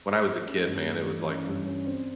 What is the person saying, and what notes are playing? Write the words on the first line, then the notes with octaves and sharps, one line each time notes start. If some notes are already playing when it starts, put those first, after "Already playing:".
when I was a kid, man, it was, like,
A3
C#4
G2
A3
E3
C#4
G2
C#4
C4